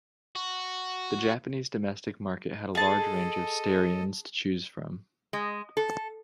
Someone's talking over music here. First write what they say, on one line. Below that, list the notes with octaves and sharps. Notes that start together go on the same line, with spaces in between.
The Japanese domestic market had a large range of Starions to choose from.
F#4
G#4 A4 D#5 A5
G#3
A4